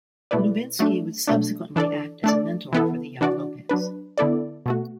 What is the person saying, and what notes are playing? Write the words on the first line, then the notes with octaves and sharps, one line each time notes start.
Lubinsky would subsequently act as a mentor for the young Lopez.
B2 A3 E4 B4 D5
F#3 A3 D4
B2 F#3 A3 D4
E3 D4 A4 D5
A3 D4 A4 D5
E3 B3 E4 A4
E3 D4 F#4 D5
F#3 D4 B4
D3 B3 E4 A4 D5
B2 A3 F#4